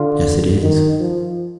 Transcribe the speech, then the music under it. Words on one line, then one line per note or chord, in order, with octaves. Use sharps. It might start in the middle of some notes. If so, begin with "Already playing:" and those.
"Yes, it is."
Already playing: D3 F4
D#3
F3